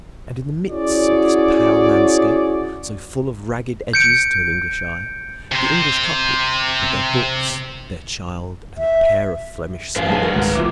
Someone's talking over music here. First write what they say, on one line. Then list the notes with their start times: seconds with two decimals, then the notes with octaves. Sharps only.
And in the midst of this pale landscape, so full of ragged edges to an English eye, the English couple, with their books, their child, and a pair of Flemish servants.
0.71 C#4 E4 F#4 G#4 C#5 D5
3.93 G6 C#7 D7
5.52 C3 C5
8.78 E5
9.96 A1 G3 B4 C5 F5 G#5
10.09 G1 G2 G#4 D#5 G#5 A5
10.22 F#4 A4 A#4
10.34 G#1 C#2 G#2 A#3 F#5 C6
10.55 B2 E3 F3 G3 F4 E5 D6